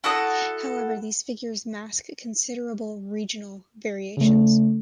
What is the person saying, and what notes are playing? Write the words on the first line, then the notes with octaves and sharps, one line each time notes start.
However, these figures mask considerable regional variations.
E4 F#4 A4 D#6
C#3 A3